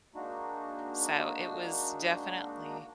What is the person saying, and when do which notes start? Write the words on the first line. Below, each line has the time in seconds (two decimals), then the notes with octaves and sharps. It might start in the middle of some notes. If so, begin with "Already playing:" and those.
so it was definitely
0.15 G#3 A#3 D4 D#4 F#4